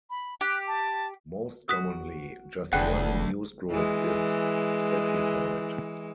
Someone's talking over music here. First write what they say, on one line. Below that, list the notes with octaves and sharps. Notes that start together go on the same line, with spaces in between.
Most commonly, just one newsgroup is specified.
B5
G4 F#6
A5
F#4 D#6 F#6 B6
F1 D2 D4 G#4 B4 F#5 G5 F#6
E3 G#3